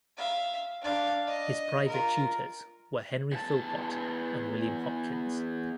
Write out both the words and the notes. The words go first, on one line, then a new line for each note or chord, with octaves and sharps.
His private tutors were Henry Philpott and William Hopkins.
E5 F5
D4 F5
D#5
F4 A#4
E2 A5